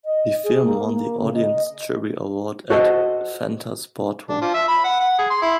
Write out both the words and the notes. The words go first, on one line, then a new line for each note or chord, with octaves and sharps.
The film won the "Audience Jury Award" at Fantasporto.
D#5
G#4
A#3
A#3
C#3
D#5
F#4 A4 C5 D#5
D4
F3
E5
B5
F#5
F#5
G#4
C6
E4